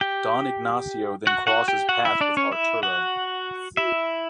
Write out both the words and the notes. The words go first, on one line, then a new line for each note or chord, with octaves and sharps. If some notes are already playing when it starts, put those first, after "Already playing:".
Don Ignacio then crosses path with Arturo.
G4 G5
F#4 F#5
F#4 F#5
G4 G5
F#4 F#5
E4 E5
D4 D5
C#4 C#5
E4 E5
F#4 F#5
E4 E5